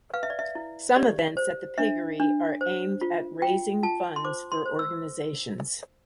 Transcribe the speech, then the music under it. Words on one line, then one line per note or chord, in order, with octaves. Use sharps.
Some events at the Piggery are aimed at raising funds for organizations.
B4 F5
E5
D5
E5
E4
G4 D5
C5
D4 E5
D4
C5
F4
F4 G5
F4 A5
C6
C5 D6
C6
C5
E6